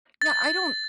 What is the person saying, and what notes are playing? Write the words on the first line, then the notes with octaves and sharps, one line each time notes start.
Yeah. I don't
A6